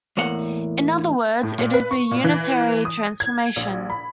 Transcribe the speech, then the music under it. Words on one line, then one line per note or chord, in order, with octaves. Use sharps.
In other words, it is a unitary transformation.
E2 A2 A#3 F#5
A2
A#2
B4
C#6
A#2
E3
D#6
G#6
A#1
B5